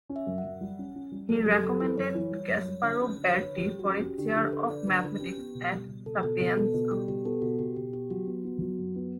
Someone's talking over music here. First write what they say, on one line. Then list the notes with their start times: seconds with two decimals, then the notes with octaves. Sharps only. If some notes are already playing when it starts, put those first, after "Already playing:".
He recommended Gasparo Berti for a chair of mathematics at Sapienza.
0.09 C#4
0.16 E5
0.27 F#2
0.38 F#5
0.44 F#2
0.61 G3
0.79 C#4
0.96 C#4
1.12 G3
1.29 G3 A4
1.46 F#2 G4
1.64 F#2 A4
1.80 E3 B4
1.98 F#2 C#5
2.14 E3
2.31 G3
2.48 F#2
2.66 G3
2.83 D3
3.00 C#4
3.17 D3
3.29 C#5
3.34 D3 B4
3.51 D3
3.56 G4
3.68 G3
3.79 F#4
3.84 C#4
4.02 C#4 G4
4.18 D3 G4
4.36 D3 A4
4.53 D3 B4
4.70 D3 D5
4.87 D3 B4
5.04 D3 B4
5.20 C#4 G4
5.38 B3
5.55 B2
5.72 G3
5.89 B2
6.06 B2 A4
6.23 B2 A4
6.40 B2 A4
6.57 B3 A4
6.74 B2
6.91 G3 G4
7.08 B2 G4
7.25 B3 A4
7.42 B2 F#4
7.59 B2 G4
7.76 B2 G4
7.93 B3 G4
8.10 F#3 F#4
8.27 B3
8.45 B3
8.62 F#3
8.79 F#2
8.96 B3